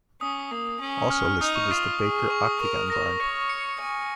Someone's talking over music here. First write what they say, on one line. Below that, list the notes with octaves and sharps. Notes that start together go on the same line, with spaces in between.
Also listed is the Baker Octagon Barn.
C#4 D#6
A#3
C#4
F6
F6
D#4 D#6
C#6
F4 D#6
G#4
C#6
D#6
A#4 C#6
A#4 A#6
C#5
C#7
G#5